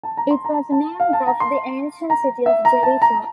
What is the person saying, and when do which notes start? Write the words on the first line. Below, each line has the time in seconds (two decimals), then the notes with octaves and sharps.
It was named after the ancient city of Jericho.
0.03 A5
0.17 A#5
0.31 C6
0.45 A#5
0.72 A5
1.00 F5
1.13 A5
1.27 A#5
1.40 C6
2.10 A#5
2.46 E5
2.65 A#5
2.83 A5
3.02 A#5